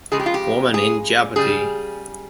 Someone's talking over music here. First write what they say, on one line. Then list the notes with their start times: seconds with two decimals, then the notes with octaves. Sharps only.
Women in Jeopardy!
0.12 C#3 F3 G#3 G#4
0.19 G4
0.26 F4
0.34 G4
0.74 G#4
1.36 C#3 G3 G#4